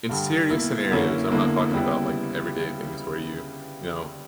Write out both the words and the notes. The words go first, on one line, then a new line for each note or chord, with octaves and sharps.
in serious scenarios, I'm not talking about, like, everyday things where you, you know,
G2 D3 G3
B2 A#3 E4
F#2 D3 A#3 C#4 E4
E2 D3 A#3 E4
C#3 G3 B3 E4